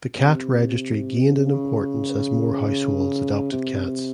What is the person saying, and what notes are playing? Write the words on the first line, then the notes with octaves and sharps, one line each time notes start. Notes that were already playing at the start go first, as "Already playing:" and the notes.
The cat registry gained in importance as more households adopted cats.
C3
C#3
C3